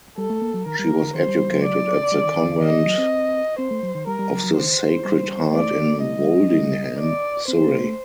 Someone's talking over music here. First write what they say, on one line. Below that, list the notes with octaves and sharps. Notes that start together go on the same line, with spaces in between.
She was educated at the Convent of the Sacred Heart in Woldingham, Surrey.
G3 A4
A3
A#3
F#3
D#3 A#4
G3
A#3
D3
D#3 C5
G3
G3
F#3
D5
G3
D#3
D#3
D3
D#3 D#5
D#3
F#3
C4
C4 C5
A3
F#3
D#3
G3 A#4
G3
F#3
F#3
D#3 C5
G3
A3 D5
A#3
A3 D#5
G3
F#3
G3
D5
C4 C5
A#3
A3
A3